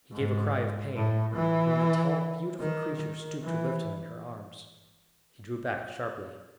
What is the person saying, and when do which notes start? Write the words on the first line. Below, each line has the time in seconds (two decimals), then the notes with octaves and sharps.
He gave a cry of pain; and when the tall beautiful creature stooped to lift him in her arms he drew back sharply.
0.12 G#2
0.95 A2
1.36 E3
2.60 D#3
3.01 D#3
3.43 E3